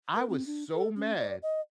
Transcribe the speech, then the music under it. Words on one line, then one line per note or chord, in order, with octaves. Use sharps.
I was so mad.
A#4
C4
D4
A4
C#4
D5
D#5